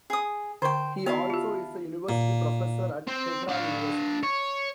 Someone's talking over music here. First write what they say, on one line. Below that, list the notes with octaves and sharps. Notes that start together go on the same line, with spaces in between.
He also is a university professor at Tehran University.
G#4 D#6
D3 A#4 C5 G5 C#6
B3 E4 F#4 D5 F5 A5
F4 G4
A#2
C4
D4 F5
C#5